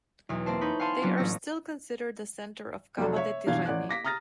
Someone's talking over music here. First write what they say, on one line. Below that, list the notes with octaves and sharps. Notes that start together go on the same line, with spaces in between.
They are still considered the centre of Cava de' Tirreni.
B1 E2
A#3 C4 C5 A5
D#4 C#5 B5 G6
F5 F#5 G#5 A5 C6
F#3 A#3 B3 C#4 D4 F4
A1 E4 A4 A#6 C#7
F1 F#3 A4
C#5 E5
G2 B2 E3 F5 G#6
A1 D5 F#6
D6 A#6 B6
A#5 D#6 F6 A6 A#6